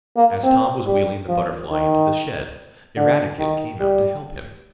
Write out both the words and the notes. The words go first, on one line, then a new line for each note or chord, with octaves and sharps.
As Tom was wheeling the Butterfly into the shed, Eradicate came out to help him.
A#3
C4
G3
F3
D#3
D3
D#3
G3